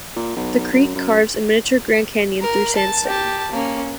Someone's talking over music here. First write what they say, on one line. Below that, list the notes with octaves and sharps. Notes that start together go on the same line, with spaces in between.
The creek carves a miniature "Grand Canyon" through sandstone.
A#2
B1
F#2
F#2
A#4
A5
G4 A5
A#3 C#4